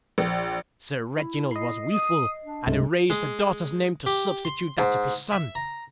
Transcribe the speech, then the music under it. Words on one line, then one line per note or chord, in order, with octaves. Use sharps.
Sir Reginald was wilful, and erased the daughter's name to substitute that of his son.
A#1
E4
D#5 C7
D#6
D4
C2 G2 G#3 A3
G#3
G4
C6
G#2
E5
A#5